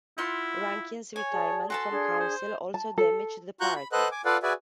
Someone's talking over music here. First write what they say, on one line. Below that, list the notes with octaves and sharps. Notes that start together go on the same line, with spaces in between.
Rankin's retirement from council also damaged the party.
E4 F4 F#5 C6
C#5 G#5
G#4 D5 A5
F#4 A4 G#5 A5 C6
D4 G#4
C5
A5
A4
F4 F#4 A#5 C#6 F#6 G6
B5
A4 B4 C5 D#5 F#5 F#6
G#5 D6
F4 A4 B4 D5 F5 F#5
F#4 G#4 B4 D5 E5 G#5